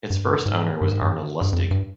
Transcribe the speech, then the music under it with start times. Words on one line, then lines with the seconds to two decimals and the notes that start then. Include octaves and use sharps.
Its first owner was Arnold Lustig.
0.10 G2
0.46 G#2
0.81 G2
0.92 G#2
1.02 G2
1.41 G2
1.53 F2
1.71 G2